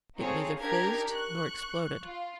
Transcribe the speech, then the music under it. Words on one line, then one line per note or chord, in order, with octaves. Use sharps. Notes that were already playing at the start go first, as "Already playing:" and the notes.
It neither fizzed nor exploded.
C4 D#4 F4 G#4 A4 C#5
D4 D#4 G4 A#4 G#6
C#6 F#6
F4